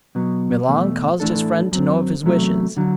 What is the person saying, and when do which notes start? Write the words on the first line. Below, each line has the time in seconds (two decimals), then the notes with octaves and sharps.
Milon caused his friend to know of his wishes.
0.15 B2 F#3 B3
0.68 E2 B2 A3
1.20 A2 E3 A3 D4 A4
1.71 F#2 F#3 C4
2.23 E2 C3 F#3 A3
2.77 D3 F#3